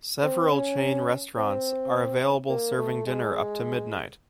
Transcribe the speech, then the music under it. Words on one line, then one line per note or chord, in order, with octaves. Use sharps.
Several chain restaurants are available serving dinner up to midnight.
C4
C#4
C4
A#3
A3
G#3